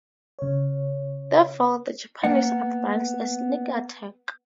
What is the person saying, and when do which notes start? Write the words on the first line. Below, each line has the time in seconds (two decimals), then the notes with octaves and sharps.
Therefore, the Japanese advanced a sneak attack.
0.39 C#3 C#5
2.24 A#3 B3 F#5